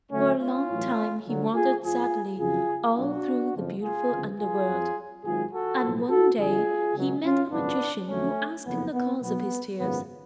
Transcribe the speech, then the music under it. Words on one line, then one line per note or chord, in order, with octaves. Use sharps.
For a long time he wandered sadly all through the beautiful underworld, and one day he met a magician who asked him the cause of his tears.
D2 D3 F#3 A3 C#4
C#4 F4
A1 A2 F#3
D2 D3 F#3
F4 G#4
F2 F3 F4 G#4
F2 C#3 F#3 F4 G#4
B1 B2 F#3 D4 F#4
F#1 F2 F3
F4 G#4
D2 C#3 F3
F4 G#4
F2 F3
G#1 G#2 F#3 F4 G#4
F#4 A4
B1 A2 F3
F#4 A4
F2 D3 F3 F4 G#4
C#2 B2 F#3
C#4 F4
G#1 F#2 C#3 F3 B3 D4
F2 D3 F#3 A3 C#4
F#1 F2 F3 B3
B3
B1 B2 F#3 B3
G#1 F#2 C#3 F3 B3